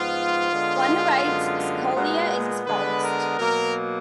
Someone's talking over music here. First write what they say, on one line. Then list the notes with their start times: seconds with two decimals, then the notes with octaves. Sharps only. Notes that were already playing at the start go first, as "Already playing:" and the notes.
One who writes scholia is a scholiast.
Already playing: G#2 F3 B3 F4
0.50 D3 G#3 B3
1.22 F#2 D3 G#3 B3
1.94 A#2 G#3 B3 F#4
2.66 D3 G#3 B3 B4
3.01 A#4
3.37 B2 F#3 A#3 A#4